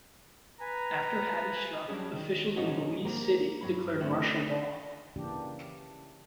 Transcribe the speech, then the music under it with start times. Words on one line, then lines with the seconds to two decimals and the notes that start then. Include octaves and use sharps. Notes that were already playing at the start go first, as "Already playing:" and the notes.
After Hattie struck, officials in Belize City declared martial law.
0.61 B4 G#5 A#5
1.88 F#3 G3 C#4 D4 G#4
2.13 D#3
2.56 A#2 F3 C#4 D#4 F#4 G#4
3.05 A#3 C4 G4 A#4
3.61 G2 F#3 B5
4.00 A3 C4 C#4 E4
5.16 C#3 E3 A#3 D4 G4